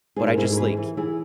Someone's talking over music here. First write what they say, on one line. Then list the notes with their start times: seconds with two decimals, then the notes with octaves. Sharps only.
But I just, like
0.16 G#2 G#4
0.27 A#4
0.37 G#2 E4 G#4
0.53 A#4
0.57 E3 G#4 B4
0.77 E3
0.97 E3 E4 G#4